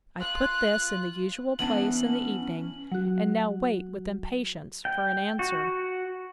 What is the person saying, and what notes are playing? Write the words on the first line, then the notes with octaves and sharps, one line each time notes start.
I put this in the usual place in the evening; and now wait with impatience for an answer.
F4 F#6
E3 B3 C#4 D4 F#7
F#3 F#4
G5
F#4